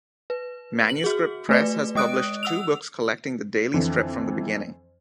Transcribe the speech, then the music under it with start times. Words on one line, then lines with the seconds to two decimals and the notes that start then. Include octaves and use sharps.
Manuscript Press has published two books collecting the daily strip from the beginning.
0.30 B4
0.90 F#7
1.04 F#4 G#4
1.49 A3 B4 D5
1.95 G#3 D#5 D#6 F#6 D7
2.43 F#5 E6 F7
3.74 F2 D3 E3